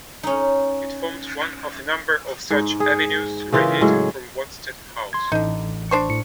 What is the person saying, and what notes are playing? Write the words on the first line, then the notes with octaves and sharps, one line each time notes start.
It formed one of a number of such avenues radiating from Wanstead House.
C#4 D#4
G#2
G#4
C#3 E3 F4 A#4
A2 F#3 G#3
C6 G#6
A1 D3 D#4
D4 C5 C#6
A2 C#7